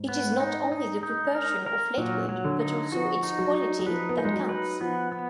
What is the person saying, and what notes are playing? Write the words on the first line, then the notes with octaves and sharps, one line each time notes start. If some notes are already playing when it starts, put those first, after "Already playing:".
It is not only the proportion of latewood, but also its quality, that counts.
Already playing: G#2
B3
D#4
D#4
D#4
A#4
A#4
A#2 F#3
F#3
D3
D#4
F3 F#4
D#4
F#3
D#4
F#3
F3 B4
B3
A#3 D#4
G#3
F#3
B4
F3 B3
B3